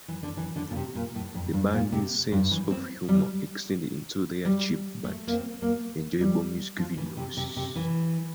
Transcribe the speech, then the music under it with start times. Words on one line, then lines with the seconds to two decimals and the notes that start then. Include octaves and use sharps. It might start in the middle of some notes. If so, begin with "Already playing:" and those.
The band's sense of humour extended into their cheap but enjoyable music videos.
0.08 E3
0.23 D3
0.37 E3
0.56 D3
0.71 A#2
0.76 C3
0.95 A#2
1.15 A2
1.34 F2
1.53 G2
1.73 A#2
1.92 C3
2.32 G2
2.51 E3
2.71 C4
3.09 G3
4.45 G3
5.04 A3
5.27 A#3
5.33 C4
5.62 A#3
6.21 G3
6.78 F3
6.97 E3
7.17 C3
7.37 C3
7.56 C3
7.76 E3